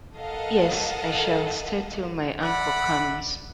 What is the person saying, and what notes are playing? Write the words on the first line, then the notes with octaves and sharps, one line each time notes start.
Yes, I shall stay till my uncle comes.
A4 A#4 D#5 F5 F#5 A5
D5 E5 F#5 B5